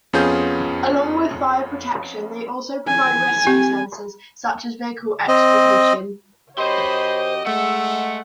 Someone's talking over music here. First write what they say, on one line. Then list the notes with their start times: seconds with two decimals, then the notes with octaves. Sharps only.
Along with fire protection they also provide rescue services such as vehicle extrication.
0.13 F2 B3 C#4 F4 G#4 G6
2.87 G#5
3.47 C4 G4
5.28 C4 D#5
6.58 F#2 G4 C5 C#5 D#5 B5 C6
7.46 G#3 A3 F#5 E6